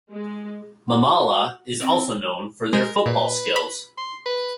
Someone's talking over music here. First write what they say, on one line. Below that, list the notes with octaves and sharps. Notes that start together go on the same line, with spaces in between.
Mamala is also known for their football skills.
G#3
F#4
C4
G#3 A#4
A#2 B4
B5
C6
B4